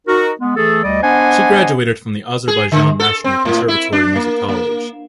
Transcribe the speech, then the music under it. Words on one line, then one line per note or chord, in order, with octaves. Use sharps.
She graduated from Azerbaijan National Conservatory Music College.
D#4 F#4 A#4
G#3 B3
E3 A3 G#4 A4
D2 G3 D5 D#5
B3 D4 C5 D#5 F#5 G#5
G#4
D3
A4
C4
A2
E4
D4
A#3
A#3